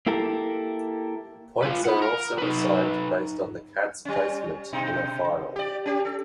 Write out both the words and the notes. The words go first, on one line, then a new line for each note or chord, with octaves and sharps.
Points are also assigned based on the cat's placement in a final.
A#3 E4 G4 A4 A#4
F4 B4
F#5 B5
A#4
D#4 B4
G3 C#4
B2 D#4
G4 D5
C#4 G4
A4